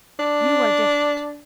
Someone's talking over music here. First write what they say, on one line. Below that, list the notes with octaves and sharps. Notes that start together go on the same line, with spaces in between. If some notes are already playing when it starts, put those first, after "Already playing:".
You are different.
D4